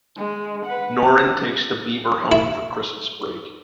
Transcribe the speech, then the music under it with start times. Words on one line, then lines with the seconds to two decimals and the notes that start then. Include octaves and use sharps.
Norrin takes The Beaver home for Christmas break.
0.17 G#3
0.66 B4 F#5
2.32 E4